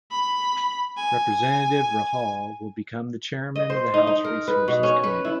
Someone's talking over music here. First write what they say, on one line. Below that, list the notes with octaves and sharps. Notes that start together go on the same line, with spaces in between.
Representative Rahall will become the Chairman of the House Resources Committee.
B5
G#5
D#5
C5
D#4
D#4
A#4
B4
B2
C#4
B4
E4